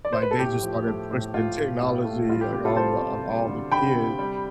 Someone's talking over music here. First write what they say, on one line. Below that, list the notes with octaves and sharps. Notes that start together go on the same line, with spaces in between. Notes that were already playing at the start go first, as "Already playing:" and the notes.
like, they just started pushing technology, like, on the on all the kids,
D5
C5
B4
A4
A2 G4
F3
A3
A2
A2 F4
A2
A2
A3
G3 F4
G4
C3 G4
F4 A4
G3 A4 C5
C3
G3
D2
D2 G5 B5
C3
G3